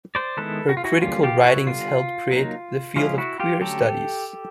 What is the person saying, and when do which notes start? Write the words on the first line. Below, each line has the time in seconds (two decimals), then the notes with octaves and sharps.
Her critical writings helped create the field of queer studies.
0.15 C5 D5
0.37 D#3 G#3 B3 E4 A4 B4
0.69 F#4
0.77 F4
0.84 E4 F#4
1.02 D3 G3 A#3 C#4 F4
1.23 F4 G4
1.44 E4 F#4
1.66 D3 G3 B3 F4
2.31 F#3 A#3 D#4
2.96 C#3 F3 G#3 C#4 E4 F4
3.18 E4 F#4
3.40 F4 G4
3.60 D3 F#3 A3 C#4 G4 A4